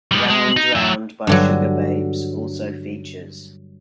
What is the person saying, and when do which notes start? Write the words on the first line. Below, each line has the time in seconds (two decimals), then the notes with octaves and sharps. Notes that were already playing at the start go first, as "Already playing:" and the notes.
Round Round by Sugababes also features.
0.11 G3 G#3
0.30 G#3
0.57 D#4
0.75 F#3 E5
1.27 G2 D3 F#3